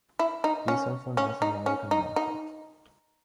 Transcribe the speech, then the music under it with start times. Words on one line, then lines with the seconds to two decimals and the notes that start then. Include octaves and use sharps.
Diesel for North American Market.
0.19 E4
0.44 D#4
0.68 C#4
1.17 C#4
1.42 D#4
1.66 C#4
1.91 D#4
2.16 D#4